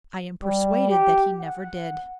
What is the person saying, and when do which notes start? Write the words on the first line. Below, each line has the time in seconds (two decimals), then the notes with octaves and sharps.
"I am persuaded that he never did."
0.43 G3
0.91 G4
1.41 F#5